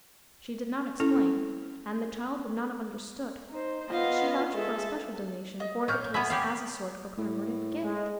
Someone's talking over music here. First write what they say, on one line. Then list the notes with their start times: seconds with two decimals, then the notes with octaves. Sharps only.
She did not explain, and the child would not have understood, that she vouched for a special donation for the case as a sort of commemorative gift.
1.00 C#4 E4 A4
3.50 D#4 C5
3.90 B3 F4 D#5 F5
4.54 G#3 G#4 A4 E5
5.60 D#5
5.88 A#2 C#5 F6 G6
6.14 B3 E5 G#5 A#5 B5
6.30 G4 C#5 F5
7.18 A2
7.82 G#3